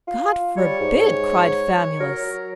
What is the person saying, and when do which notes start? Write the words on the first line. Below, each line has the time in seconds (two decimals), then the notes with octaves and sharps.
"God forbid!" cried Famulus.
0.08 F4
0.58 G3 C#5
0.80 G#2
2.00 F#3 A#4